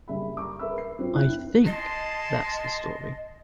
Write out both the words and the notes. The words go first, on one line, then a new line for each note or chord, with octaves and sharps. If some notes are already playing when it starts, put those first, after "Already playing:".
I "think" that's the story.
F#1 G3 G#4 E5 B5
A#5 C#6 D6
G#4 A#4 B4 E5 B5 E6
C7
F#2 C4 F4 C5
C4 E4 F#6
G#3 D#5 A5 C6